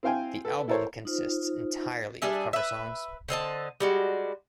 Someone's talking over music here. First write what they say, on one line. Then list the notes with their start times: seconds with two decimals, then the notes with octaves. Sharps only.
The album consists entirely of cover songs.
0.03 C4 E4 C5 F5 G5 G#5
0.45 A4 B4
0.68 E4 A4 A#4 C5 C#5
1.05 D#4 F4 C5
2.22 G3 D4 G#4 E5
2.53 B4 E5
3.29 D3 C4 D#5 A5
3.80 G3 G#3 F#4